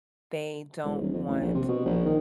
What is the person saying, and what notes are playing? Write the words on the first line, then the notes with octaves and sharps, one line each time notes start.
they don't want
E1
D#1
F2
A1
A#1
C3
B2
A#1
D#3